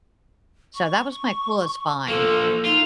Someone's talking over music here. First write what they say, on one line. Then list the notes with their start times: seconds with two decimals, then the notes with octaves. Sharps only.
So that was my coolest find.
0.75 C#6
2.08 F3 A#3 A4
2.65 D#4 F4